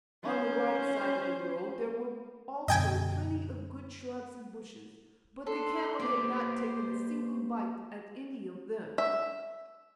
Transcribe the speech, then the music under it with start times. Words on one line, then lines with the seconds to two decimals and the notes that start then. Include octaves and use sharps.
On the right side of the road there were also plenty of good shrubs and bushes, but the camel had not taken a single bite at any of them.
0.23 C#4 C5
2.68 F#2 B2 D3 D#5 G5 G#5
5.47 D4 A4 C6
6.00 A#3 G4 B4 C5 D5
8.98 E5